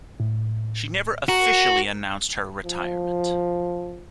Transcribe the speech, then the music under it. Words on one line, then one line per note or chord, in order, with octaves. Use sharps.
She never officially announced her retirement.
A2
F#4 A#4
F3